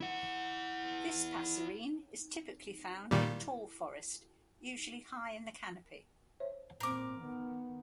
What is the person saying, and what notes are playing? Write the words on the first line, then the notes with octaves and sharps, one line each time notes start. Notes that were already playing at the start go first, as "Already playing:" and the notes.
This passerine is typically found in tall forest, usually high in the canopy.
E4 F#5
A#2 D#3 G3
C5 C#5 E5
A#2 C4 A#4 D6
D#3 B3